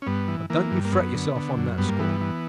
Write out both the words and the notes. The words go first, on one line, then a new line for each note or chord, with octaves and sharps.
But don't you fret yourself on that score.
C#4
G2 B3
E3
E3 A#3
G2
A#3
F#2 B3
D3
D3
F#2
G2 B3
A#3
E3 B3
E3